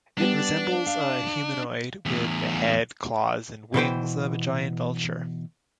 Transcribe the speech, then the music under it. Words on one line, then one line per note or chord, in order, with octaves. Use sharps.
It resembles a humanoid with the head, claws, and wings of a giant vulture.
G3 B3 D4 G4
F5
E2 A2
B2 E3 C5 G5